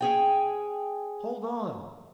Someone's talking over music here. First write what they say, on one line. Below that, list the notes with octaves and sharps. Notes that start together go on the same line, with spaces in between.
"Hold on!"
C#4 G#4 G5